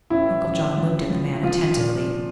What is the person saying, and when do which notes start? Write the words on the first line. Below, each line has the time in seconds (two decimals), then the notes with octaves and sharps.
Uncle John looked at the man attentively.
0.10 A1 E4
0.44 A1
0.77 F3
1.10 F3
1.43 F3 F4
1.76 A#2